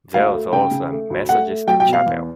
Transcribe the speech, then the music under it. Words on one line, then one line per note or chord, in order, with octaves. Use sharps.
There was also a Methodist chapel.
D2 F5
A3
C#3 G5
C#3
A3
D2
A3 F#5
A3
F#3 G5
G5
B2
F5
E2